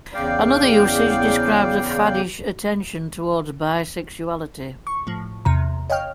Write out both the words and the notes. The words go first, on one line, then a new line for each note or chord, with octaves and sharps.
Another usage describes a faddish attention towards bisexuality.
E2 C#3 D5 F5 G5
C#6
A2 F3
E2 C3 A#5
C#5 D#5 F5 G5 F6